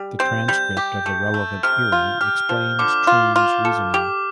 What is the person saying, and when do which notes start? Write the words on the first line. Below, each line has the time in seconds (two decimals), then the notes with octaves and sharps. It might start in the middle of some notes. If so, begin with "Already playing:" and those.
The transcript of the relevant hearing explains Troon's reasoning.
Already playing: G3
0.19 C4 G6
0.48 G3 G6
0.77 G4
1.06 A3
1.34 A3
1.63 C3 F6
1.92 F4
2.21 G4 F6
2.49 F3
2.79 D3 D6
3.07 F4
3.36 F4
3.65 A4
3.94 G4 D6